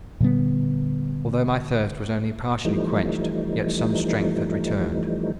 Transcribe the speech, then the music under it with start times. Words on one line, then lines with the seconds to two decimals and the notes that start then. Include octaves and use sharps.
Although my thirst was only partially quenched, yet some strength had returned.
0.20 A#2 D3 G3 B3
2.65 E3 F3 G3 A3 D#4